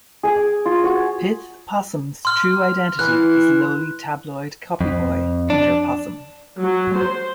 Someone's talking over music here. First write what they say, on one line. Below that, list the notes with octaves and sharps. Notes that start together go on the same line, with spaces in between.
Pith Possum's true identity is lowly tabloid copyboy Peter Possum.
G#4 G#5 D6
F4
F#4 C#5
C6 F6
E3 F#6
F2
D4
F#3
C5